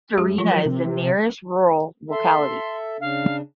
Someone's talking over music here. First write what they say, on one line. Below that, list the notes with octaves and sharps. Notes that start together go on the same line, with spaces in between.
Starina is the nearest rural locality.
F#2 G#3 G4 G#4
F3 F#3 F4
A#4
C3
A4 E5 C6
C#3 D4 F5